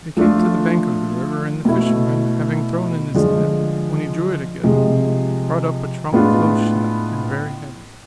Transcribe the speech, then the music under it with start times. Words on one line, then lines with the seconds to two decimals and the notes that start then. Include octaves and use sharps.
They came to the bank of the river, and the fisherman, having thrown in his net, when he drew it again, brought up a trunk close shut, and very heavy.
0.17 F3 A3 D4 F4
1.65 B2 A3 E4
3.14 D3 F3 G#3
4.63 C3 F3 G#3
6.12 A2 G#3 B3 D4 F4